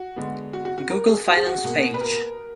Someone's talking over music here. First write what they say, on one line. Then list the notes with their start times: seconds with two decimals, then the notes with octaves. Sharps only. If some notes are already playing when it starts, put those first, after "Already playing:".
Google Finance Page.
Already playing: F#4
0.16 D3 G#3 B3
0.53 F#4
0.65 F#4
0.78 F#4
0.90 A#4
1.08 G#4
1.27 F#4
1.37 G#4
1.47 F#4
1.64 B2 A#3
1.94 B4
2.01 A#4